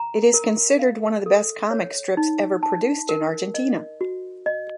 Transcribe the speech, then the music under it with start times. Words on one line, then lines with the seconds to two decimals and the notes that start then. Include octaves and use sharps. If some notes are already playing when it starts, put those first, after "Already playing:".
It is considered one of the best comic strips ever produced in Argentina.
Already playing: A#5
0.34 A#4
0.79 F5
1.26 A4
1.71 C#5
2.17 D#4
2.63 A5
3.09 A#4
3.54 D#5
4.01 F#4
4.46 D#5